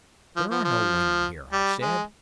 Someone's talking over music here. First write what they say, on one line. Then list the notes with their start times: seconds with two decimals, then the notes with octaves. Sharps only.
'There are no women here,' I said.
0.36 F3
0.51 F3
0.64 F3
1.52 G3
1.81 G#3